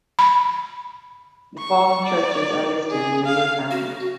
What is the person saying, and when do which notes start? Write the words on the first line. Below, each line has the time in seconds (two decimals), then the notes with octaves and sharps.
The following churches are listed in the year founded.
0.19 B5
1.58 C#6
2.06 D5
2.90 G#4
3.26 F5
3.71 F#4